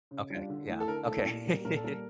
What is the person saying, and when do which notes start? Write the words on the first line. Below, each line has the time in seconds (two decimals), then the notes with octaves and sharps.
Okay, yeah, okay.
0.11 C#3
0.30 G3 D4 F4
0.50 D3
0.69 A3 E4
0.80 A4
0.88 D3 A#4
1.07 A3 E4 A4
1.26 A#2
1.46 G3 A#3
1.65 A#2 A#4
1.77 A4
1.84 G3 A#3 A#4